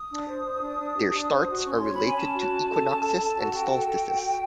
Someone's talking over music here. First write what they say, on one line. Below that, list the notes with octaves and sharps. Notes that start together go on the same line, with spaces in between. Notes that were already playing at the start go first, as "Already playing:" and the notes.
Their starts are related to equinoxes and solstices.
Already playing: D#6
D4
C5
C5
D4
D4
G4
D4
C5
F#4
C#4 C#6
C6
C#5
B5
C#4
G#5
C#4 A5
F#4
C#4
A4
C#4
A4
A4
F#4
F#5
F#4 G5
A4
A4
F#4
F#4